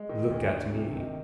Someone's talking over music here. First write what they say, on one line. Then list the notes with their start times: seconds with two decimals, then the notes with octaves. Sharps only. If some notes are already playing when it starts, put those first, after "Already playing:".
Look at me.
Already playing: G#3
0.09 D#3
0.31 D2
0.53 D2
0.74 C3
0.95 D#3